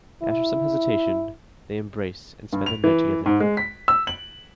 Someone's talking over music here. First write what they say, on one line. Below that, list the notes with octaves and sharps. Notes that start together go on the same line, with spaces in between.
After some hesitation, they embrace and spend the night together.
E4
G2
F7
E3
G#2
G#3
B6
E6
F#7